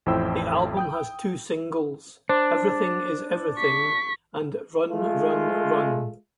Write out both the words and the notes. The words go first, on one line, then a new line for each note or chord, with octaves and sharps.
The album has two singles; "Everything Is Everything" and "Run Run Run".
A1 F2 E4 C5 G5 E6
G5 D#6 G6
D4 C5
C#6 B6
G#3 A3 F4